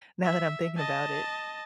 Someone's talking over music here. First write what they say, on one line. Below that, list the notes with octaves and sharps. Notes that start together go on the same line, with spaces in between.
Now that I'm thinking about it.
E5
D#5 A5